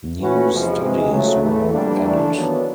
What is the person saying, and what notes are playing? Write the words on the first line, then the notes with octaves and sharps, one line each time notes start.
New studies were added.
E3 A3 C#4 F#4 B4
E2 C3 F3 G#3
C3 E3 G#3 C4
C#3 F#3 A3
A2 E3 A3
F2 D3 G3 A#3 D4
E3 A3 D4
D#3 F#3 B3